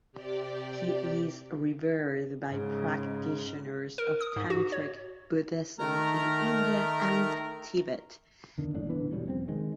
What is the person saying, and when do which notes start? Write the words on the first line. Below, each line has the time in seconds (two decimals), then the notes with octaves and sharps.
He is revered by practitioners of tantric Buddhism in India and Tibet.
0.12 C3 G4 D5
2.48 G#2 C#3
3.98 A#4
4.21 D#6
4.36 G#2
4.50 F#4
4.72 C#5
5.79 D#3 A3 A#4 A#5
8.58 E2 D3 D#3
8.74 F#1 A2 D4
8.90 D#1 D3 E3 B3
9.12 G1 B2 G3 C#4
9.25 F1 C#3 C4
9.48 D#3 G#3